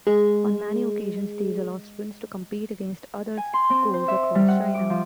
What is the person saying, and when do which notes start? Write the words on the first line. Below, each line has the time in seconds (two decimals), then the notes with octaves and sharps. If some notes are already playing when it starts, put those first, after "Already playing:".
On many occasions, these allow students to compete against other schools across China.
0.07 G#3 G#4
3.37 G#5
3.53 C6
3.70 C4
3.94 C5
4.08 E5
4.35 G3
4.48 F#5
4.74 D6
4.90 F3